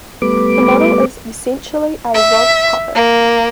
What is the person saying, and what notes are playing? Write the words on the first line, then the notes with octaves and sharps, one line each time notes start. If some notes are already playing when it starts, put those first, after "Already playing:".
The model is essentially a rod puppet.
G3 A3 B3 B4 D6
E5
A#3